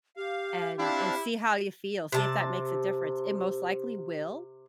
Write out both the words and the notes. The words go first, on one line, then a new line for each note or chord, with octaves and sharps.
and and see how you feel, see if that makes a difference it most likely will,
G4 F5
C4 D4 E4 F5
C3 A5